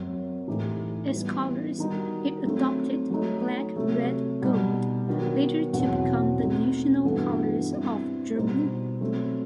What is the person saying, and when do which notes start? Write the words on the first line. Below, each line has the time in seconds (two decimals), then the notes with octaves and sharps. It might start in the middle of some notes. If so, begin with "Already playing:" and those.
As colours, it adopted Black-Red-Gold, later to become the National colours of Germany.
Already playing: F#2 F#3 C4 F#4
0.47 A2 E3 A3 D#4 G4
1.13 E3 G3 B3
1.79 D#3 G3 D#4 F#4
2.44 F#3 A3 C4 D#4
3.10 F#3 A3 D#4
3.76 C3 F#3 A3
4.42 B2 G3 D#4 F#4
5.07 D#3 F#3 B3 F#4
5.73 E2 B2 F#3 C4 F#4
6.38 B2 A3 C4 D#4
7.04 G2 E3 B3 F#4 A4
7.70 G3 C4 E4
8.35 B2 G3 D#4 G4 C5
9.01 F#3 A3 C4